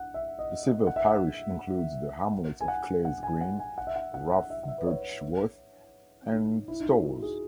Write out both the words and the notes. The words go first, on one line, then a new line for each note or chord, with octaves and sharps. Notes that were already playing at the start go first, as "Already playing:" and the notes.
The civil parish includes the hamlets of Clays-Green, Roughbirchworth and Storrs.
Already playing: F#5
E5
D#5
D#5
F#5
E5
F#5
G#5
F#5
F#5
G#5
F#5
G#5
F#5
E5
F#5
F#5
F#5
E5
F#5
E5
B4
C#5
D#4
E4
D#4
E4
F#4
G#4